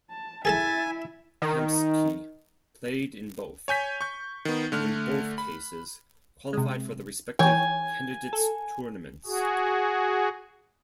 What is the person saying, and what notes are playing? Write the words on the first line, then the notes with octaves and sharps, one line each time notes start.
Kamsky played in both, and in both cases qualified for the respective Candidates Tournaments.
A5
E4 G#4 A4 E5 G#5 A5 A6
D#3
C#5 G#5 G6 B6
C#6 G6
D#3 B3
D3 A3 F6 F#6
B5
C3 G#3
E3 C#5 G5 G#5
A4
F#4 G#4